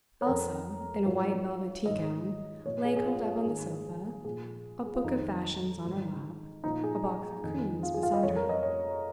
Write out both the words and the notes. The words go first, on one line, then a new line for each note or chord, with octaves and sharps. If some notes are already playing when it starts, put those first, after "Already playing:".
Elsa, in a white velvet tea-gown, lay curled up on the sofa--a book of fashions on her lap, a box of creams beside her.
C#5
F2 F3 A#4
G#2 F3 C#5
G#2 D#3 D#5
A#2 F3 C#5
G#4
G#4
F4
F4
G#2 D#3 G#4
A#2 F3 G#4
G#4
F4
F2 D#3 D#4
G#2 D#3
A#2 F3 D#4
G#4
G#4
F2 D#3
F4
G#4
F4
D#5
F2 F3 C#5
A#4
D#5
C#5